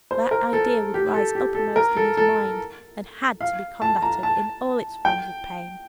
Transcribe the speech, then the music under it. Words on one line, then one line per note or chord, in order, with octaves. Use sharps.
That idea would rise uppermost in his mind, and had to be combated in all its forms of pain.
C5
A#4
A4
G4
A4
G4
A4
A#4
A4
A4
F5
A5
A#5
A5
G5